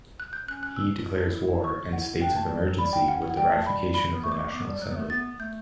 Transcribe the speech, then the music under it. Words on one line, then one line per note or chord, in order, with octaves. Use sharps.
He declares war and states of emergency with the ratification of the National Assembly.
F#6
G6
C#4 F#6
F#6
E6
E4
D4
E4
C#6
E4 F#5
D4 G5
A3 A5
G3
F#3
G3 B5
G5
C#4 F#5
E4 F#5
G3 G5
A3 A5
G3 B5
B5
B3
A3 C#6
D6
C#6
B3 D6
G3
F#3 F#6
B3
A3
B3 A6
A3 G6